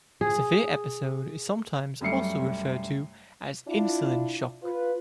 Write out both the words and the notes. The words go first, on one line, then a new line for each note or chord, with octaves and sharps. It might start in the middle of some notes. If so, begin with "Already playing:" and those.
A severe episode is sometimes also referred to as "insulin shock".
G#4
F#2 G3 A3 C7 C#7
D4 E4 F4
F4 B4